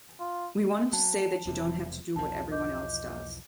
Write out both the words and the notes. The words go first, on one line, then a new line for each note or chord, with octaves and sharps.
We wanted to say that you don't have to do what everyone else does.
F4
F#3 A5
E1 E2 C3
B1 E2 F3 A5
D#5 D6 G6